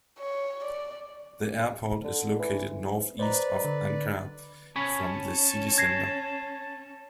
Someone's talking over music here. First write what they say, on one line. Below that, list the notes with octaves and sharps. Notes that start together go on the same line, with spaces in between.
The airport is located northeast of Ankara, from the city center.
C#5
D5
D3
E3
B4 C5 D5 D#5 A#5
D3
C#4 C#5 G#5 A5 B5
G#6 A#6 C7